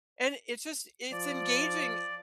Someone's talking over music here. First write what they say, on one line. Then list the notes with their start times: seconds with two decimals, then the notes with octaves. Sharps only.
And it's just it's engaging,
1.12 F3 D5